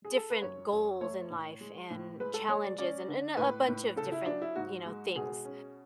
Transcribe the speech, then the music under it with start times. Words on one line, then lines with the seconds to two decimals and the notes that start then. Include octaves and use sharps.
different goals in life and challenges and and a bunch of different, you know, things.
0.05 G#4
0.17 A4
0.30 B4
0.42 F#2 C#5
0.72 F#2
1.01 A3 C#5
1.30 A2
1.60 G#3
1.90 A2
2.20 G#3 B4
2.34 A4
2.49 G#3 C#5
2.64 D5
2.78 C#4 D5
3.08 D3
3.37 A2 B4
3.68 A2
3.96 C#3 A4
4.12 E4
4.26 F#3 D4
4.42 E4
4.56 G#2 F#4
4.86 G#3
5.15 B2 G#4
5.45 C#4